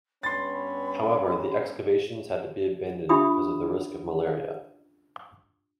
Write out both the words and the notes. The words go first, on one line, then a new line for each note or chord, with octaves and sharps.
However, the excavations had to be abandoned because of the risk of malaria.
G2 B3 C#4 B5 C6 A6
D4 F4 G4 E5 B5 D#6